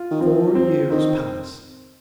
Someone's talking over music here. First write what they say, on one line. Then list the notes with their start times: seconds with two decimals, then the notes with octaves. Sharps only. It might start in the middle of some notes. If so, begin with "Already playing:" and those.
Four years passed.
Already playing: F4
0.11 D#3
0.20 F3 C4
0.55 C4
0.90 D#3 C4